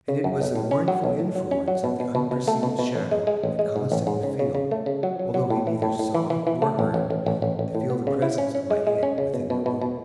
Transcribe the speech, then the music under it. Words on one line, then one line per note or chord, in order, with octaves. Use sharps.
And it was the mournful influence of the unperceived shadow that caused him to feel--although he neither saw nor heard--to feel the presence of my head within the room.
C#3
F#2
B1
A2
C#4
F#3
B1
A2
F#3
C#4
F#3
B2
B2
B2
B2
A3
B2
B2
A1
G#3
G#3
A1
G#3
G#2
A1
G#2
C#3
C#3
C#3
A3
C#3
F#3
F#3
F#3
A2
E3
A2
A2
E3
E3
E3
A3
A1
A1
A1
A1
A1
A1
A2
B3
C#3
E4
C#4
C#4
G#3
G#3
C#4
C#3
B2
B2
B2
B2